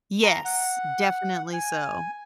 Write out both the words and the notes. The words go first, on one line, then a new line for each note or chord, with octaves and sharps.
Yes. Definitely so.
A#5
F#5
G#5